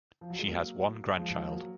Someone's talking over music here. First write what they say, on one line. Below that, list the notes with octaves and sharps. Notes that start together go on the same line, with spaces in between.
She has one grandchild.
F3
F#3
G#3
F#3 A#3
F3 G#3
F3 G#3
F#3 A#3